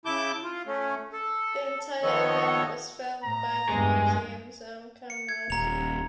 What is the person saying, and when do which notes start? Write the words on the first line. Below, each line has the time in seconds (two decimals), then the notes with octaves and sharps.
The entire event was filmed by the museum's own cameras.
0.06 C#3 E4 A5 D6 G6
0.43 F4
0.67 A3 C#4
1.13 A4
2.03 D#3 F3 B3 A4 C#5 D#5
3.24 A2 A#5
3.69 E2 G2 G#3
5.10 C#7
5.29 G#6
5.50 D#1 A#5 F7